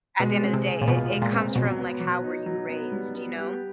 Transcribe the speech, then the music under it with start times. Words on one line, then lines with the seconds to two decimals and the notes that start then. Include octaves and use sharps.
at the end of the day, it it comes from, like, how were you raised, you know?
0.20 B2 G#3
0.43 C4
0.53 C3
0.65 G#4
0.81 A#2
0.88 B2 F4
1.10 G#3
1.22 A#2
1.33 C4
1.56 B2 F#3
1.79 B3
2.00 F#3
2.24 D#4
2.46 F#3
2.69 B3
2.92 G3
3.14 B3
3.37 G4